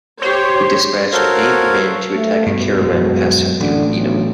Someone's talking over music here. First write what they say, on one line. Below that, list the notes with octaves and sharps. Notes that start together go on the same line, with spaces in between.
He despatched eight men to attack a caravan passing through Edam.
G4 C5 C#5
F#4 A4 A#4 C5 C#5 F5
A3
G2 B2
D#1 F#2 G#3
A1 D3
B1